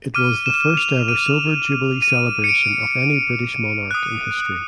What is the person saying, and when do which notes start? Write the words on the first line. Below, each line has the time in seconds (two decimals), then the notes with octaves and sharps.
It was the first ever Silver Jubilee celebration of any British monarch in history.
0.15 D6 F6 D#7
0.46 E7
0.77 F7
1.08 D#7
2.02 D#7
2.44 C#7
2.49 D7
3.91 D#6 F#6